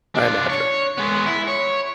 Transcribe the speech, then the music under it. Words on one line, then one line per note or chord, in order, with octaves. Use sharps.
I imagine,
D4 F4
C#5
G#3 B3
E4
C#5